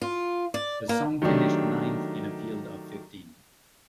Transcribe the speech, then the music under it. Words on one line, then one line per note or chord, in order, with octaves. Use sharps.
The song finished ninth in a field of fifteen.
F4
D5
A#3
D#3 F#3 A3 D4 G4